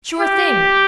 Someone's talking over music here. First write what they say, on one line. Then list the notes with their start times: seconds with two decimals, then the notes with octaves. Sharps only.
Sure thing.
0.20 G4